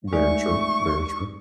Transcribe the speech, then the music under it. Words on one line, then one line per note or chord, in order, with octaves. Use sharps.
Very true. Very true.
G#3 A3 D#4 D5 C#6